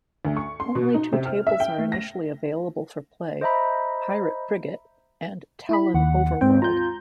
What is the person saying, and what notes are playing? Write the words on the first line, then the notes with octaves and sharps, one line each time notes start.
Only two tables are initially available for play: Pirate Frigate and Tallon Overworld.
D2
C#6
C6
B2
D#4
C3
F6
E5
G5
A3
A#6
C5 D#5 E5 A#5 B5
E4 B5
D#2 F#5
G#2 C4 C5 G5
F4 A#5 G6